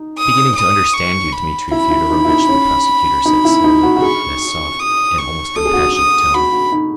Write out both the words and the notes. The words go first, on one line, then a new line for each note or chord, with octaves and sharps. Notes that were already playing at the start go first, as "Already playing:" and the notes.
"I am beginning to understand you, Dmitri Fyodorovitch," the prosecutor said slowly, in a soft and almost compassionate tone.
Already playing: D#4
D#6
D#6
C#6
B5
E4 B5
E4
D#4
E4
D#4
C#4
D#4
E4
D#4
F#4
F#4
G#4 C#6
D#6
C#6
A4 D#6
G#4
F#4
G#4
D#6
F#4 B5
F#4
D#4